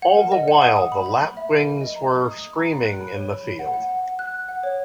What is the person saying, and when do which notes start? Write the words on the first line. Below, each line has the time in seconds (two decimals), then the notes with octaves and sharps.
All the while the lapwings were screaming in the field.
0.02 F#5
0.17 A#4
0.32 D#5
0.48 F#5
0.62 D#6
0.76 D#6
0.92 B5
1.06 B5
1.21 B5
1.37 E5
1.51 A#4
1.66 B5
1.81 D#5
1.96 A#5
2.10 D#5
2.25 D#6
2.41 D#6
2.55 A#5
2.71 B5
2.85 F#6
3.01 B5
3.14 C#5
3.29 B5
3.44 B5
3.59 F#5
3.74 F#5
3.89 F#5
4.04 F#5
4.19 F#6
4.34 F#6
4.49 F#5
4.63 C#5